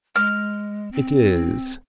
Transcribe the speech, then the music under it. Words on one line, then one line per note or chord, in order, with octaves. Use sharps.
It is.
G#3 F6
C4